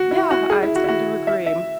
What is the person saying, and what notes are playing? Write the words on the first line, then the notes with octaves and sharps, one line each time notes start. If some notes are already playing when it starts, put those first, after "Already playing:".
Yeah, I tend to agree
Already playing: F#4
E4
F#4
G#4
E4
F#4
E4
F#4
E5
E5